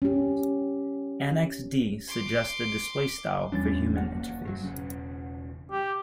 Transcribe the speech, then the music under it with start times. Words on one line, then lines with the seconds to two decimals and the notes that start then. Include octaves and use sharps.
Annex D suggests a display style for human interface.
0.02 C#4 G4
2.08 C6 D6
3.52 E2 E3 G3 C#4 D4 A6
3.97 F1 A#3 F#5
4.44 G2 F3 F#3
4.64 E1 A#1 C#3
5.72 G4